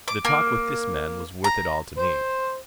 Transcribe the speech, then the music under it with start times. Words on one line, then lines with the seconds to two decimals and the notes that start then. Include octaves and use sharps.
The talk with this man was worth it all to me.
0.08 D6
0.25 A#3
1.44 A#5
1.97 C5